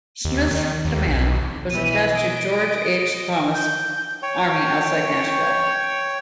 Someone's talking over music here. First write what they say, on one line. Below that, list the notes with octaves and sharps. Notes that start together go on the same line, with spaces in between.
Smith's command was attached to George H. Thomas' army outside Nashville.
D#2
D#3
D#2
B1
B2 E3 D#7
D#5 D7
G6
C#5 G5 C#6